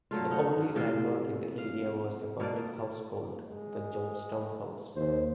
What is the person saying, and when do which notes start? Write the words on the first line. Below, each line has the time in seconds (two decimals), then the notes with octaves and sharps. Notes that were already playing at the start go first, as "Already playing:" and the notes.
The only landmark in the area was the public house called the Jobstown House.
0.11 D3 F#3 A3 F4
0.30 C#4 D#4 F#5
0.75 A2 C3 F4 C5
1.58 F5
2.40 B2 A#3 D4 D5
3.46 G#3
4.95 D#2 C5